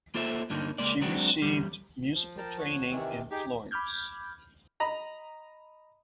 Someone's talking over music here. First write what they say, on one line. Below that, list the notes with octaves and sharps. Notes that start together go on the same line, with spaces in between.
She received musical training in Florence.
A#3 F4 A4 C5 E5
G2 D3 A#3 D#4
C#2 G#3 A#3 D5
F#3 G#3 C4 D4 F#4
E2 G2 G3
F3
A#4 G5 A5
C#5 F#5
C3 D#3 E3
D#4 G4 G#4 G5
B5 D6 F6 G6 G#6
D#5 A#5 B5